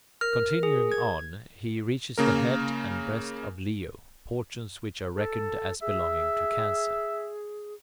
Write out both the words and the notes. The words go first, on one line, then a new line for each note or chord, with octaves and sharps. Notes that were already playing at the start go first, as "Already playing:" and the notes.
Continuing on, he reaches the head and breast of Leo, portions which are reckoned as belonging to Cancer.
A#4 F6
G#4
G#6
C#3 A#3 A#4
A4
G#4 E5